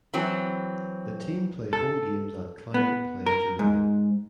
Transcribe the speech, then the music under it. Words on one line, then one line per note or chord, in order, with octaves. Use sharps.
The team play home games at Climate Pledge Arena.
E3 F#3 C4
A4
B3
A#4
G#2